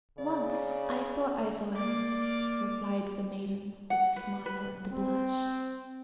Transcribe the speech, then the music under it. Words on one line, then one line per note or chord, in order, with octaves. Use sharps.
"Once I thought I saw him," replied the maiden, with a smile and a blush.
C#3 D5
A#3 D5
F#5
B4
B4
C4